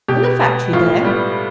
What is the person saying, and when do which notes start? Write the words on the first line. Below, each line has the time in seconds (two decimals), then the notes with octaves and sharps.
In the factory there?'
0.08 B2 G4
0.41 B3
0.73 A2 F4
1.05 G3 B3